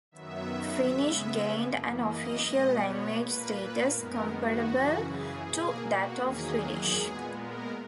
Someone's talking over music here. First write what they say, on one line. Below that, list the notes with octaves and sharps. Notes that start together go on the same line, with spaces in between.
Finnish gained an official language status comparable to that of Swedish.
F#2 D#3 F#3 B3 E5
C#3 G#3 B3
F#2 E3 A#3
D#5
B2 G#3 B3
C#5
A#2 A#3 B4
F#2 D#3 G#3 B3 A#4
F#4
F#2 C#3 E3
G#4
B2 A#3 G#4
F#4
E2 D#3 F#3 A#3 G#4
A#2 G#3 B3
A#4